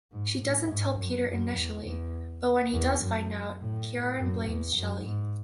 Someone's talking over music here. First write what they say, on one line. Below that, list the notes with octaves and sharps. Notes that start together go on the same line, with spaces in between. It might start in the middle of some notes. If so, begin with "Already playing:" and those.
She doesn't tell Peter initially but when he does finds out, Ciaran blames Shelley.
G#2
A2
G#2
F#2
F#2
E2
E2
E2
F#2
A2
F#2
E2
F#2
G#2